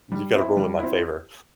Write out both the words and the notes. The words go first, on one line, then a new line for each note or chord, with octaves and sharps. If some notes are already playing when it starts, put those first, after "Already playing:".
you gotta rule in my favor."
G3
C4 E4
G3
C4 E4